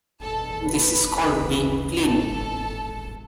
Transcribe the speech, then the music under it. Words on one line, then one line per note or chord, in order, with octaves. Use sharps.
This is called being "clean".
E2 B2 A4 A5
B4 B5
D2 C#3 E3
G#1 G#2 E3 A4 A5